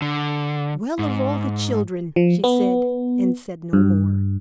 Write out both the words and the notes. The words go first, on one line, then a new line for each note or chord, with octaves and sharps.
"Well! of all the children!" she said, and said no more.
D3
G#2
F3
B3
G2